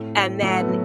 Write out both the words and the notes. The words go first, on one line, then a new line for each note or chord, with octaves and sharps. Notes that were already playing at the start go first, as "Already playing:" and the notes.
And then
Already playing: A2 A3 C4
A2
F#3 A3
B3
F#3